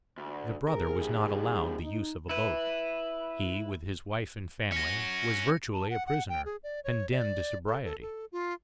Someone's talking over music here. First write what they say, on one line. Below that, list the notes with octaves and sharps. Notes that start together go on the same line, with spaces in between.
The brother was not allowed the use of a boat; he, with his wife and family, was virtually a prisoner, condemned to sobriety.
D2
C3 G#4 A#4
D#3 G3
D#4
E4 B4
C#4 F#4 A#6 C#7
A5
F#5
F#5
G5
G#4
D5
C#5
D5
A4
A4
A4
F4